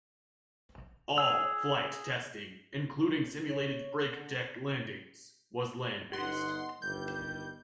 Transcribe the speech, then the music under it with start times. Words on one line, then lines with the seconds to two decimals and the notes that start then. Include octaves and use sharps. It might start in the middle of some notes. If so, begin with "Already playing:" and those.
All flight testing-including simulated braked deck landings-was land-based.
1.18 G#4 E6
3.49 C#5
4.10 D3
6.13 G1 D#4 F#5 C6
6.82 G1 D#3 G3 G6